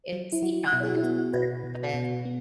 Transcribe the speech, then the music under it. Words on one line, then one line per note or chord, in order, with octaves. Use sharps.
it's you know, it's hard, but I
F#3
E4
F#3 F#4
B2 E4
G#4
F#4
E4
B3 F#4
F#4
B2 F#4 B4
B2
B2
B3